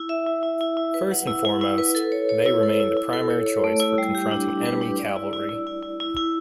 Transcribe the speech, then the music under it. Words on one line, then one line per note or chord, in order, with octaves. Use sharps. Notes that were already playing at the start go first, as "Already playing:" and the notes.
First and foremost they remained the primary choice for confronting enemy cavalry.
Already playing: E4
E5
E4
E4
E4
E4
B4
F#5
E4
E4
E4
B4
A4
C#5
C#5
E4
A4
E4
E4
A4
C#5
C#5
A3
E4
G3
G4
D4
D4
B4
D4
D5
E4
E4
E4
E4
E4
E4
E4